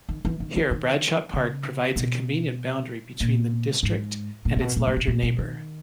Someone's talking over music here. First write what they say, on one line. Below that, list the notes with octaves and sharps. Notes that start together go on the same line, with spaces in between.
Here, Barshaw Park provides a convenient boundary between the district and its larger neighbour.
D#3
E3
D#3
D#3
D#3
C#3
B2
A#2
G#2
A#2
A#2
B2
A#2
A#2
B2
A#2
B2
D#3